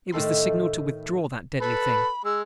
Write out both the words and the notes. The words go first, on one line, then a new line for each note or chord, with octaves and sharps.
It was the signal to withdraw that deadly thing.
A2 D#3 A4 C6
A4 B4 B5
G#3 E6